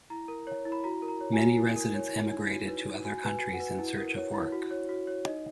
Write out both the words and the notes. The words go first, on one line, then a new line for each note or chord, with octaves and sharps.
Many residents emigrated to other countries in search of work.
E4 A#5
A#4
C#5
E4
B5
F#4 A#5
A#4
A#5
C#5
G#5
F#4
E4
A#4
C#5
E4
D#4
F#4
B4
D#4
F#4 G#5
B4
G#5
F#4
F#5
B4
E4
A#4
C#5
E4
F#4
C#5
F#4
C#5
D#4 D#5